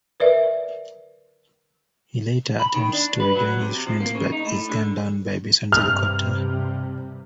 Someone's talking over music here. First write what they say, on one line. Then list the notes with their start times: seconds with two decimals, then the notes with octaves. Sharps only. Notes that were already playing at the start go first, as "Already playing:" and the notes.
He later attempts to rejoin his friends, but is gunned down by Bison's helicopter.
0.20 A#4 B4 D5 E5
2.60 B5
2.74 D#3
2.93 D4
3.20 B4
3.35 F#3
3.61 C3
3.87 F3
4.00 A#3
4.15 C#3
4.32 D#4
4.45 A2
4.69 D3
5.72 G2 C3 F6